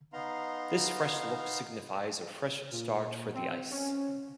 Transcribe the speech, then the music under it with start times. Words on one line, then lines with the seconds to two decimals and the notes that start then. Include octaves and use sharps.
This fresh look signifies a fresh start for the Ice.
0.13 B3 D#4 F5 A#5 C6
2.71 A#2
3.34 C4
3.70 C#4